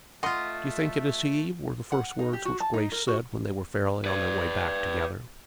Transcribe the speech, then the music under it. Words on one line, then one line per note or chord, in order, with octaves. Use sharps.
"Do you think it is he?" were the first words which Grace said when they were fairly on their way back together.
A3 F4 D#5 E5 F#5 C6
F#5
D#4
G4
F#4
A5
D#4
A#4
F#4
B4 D5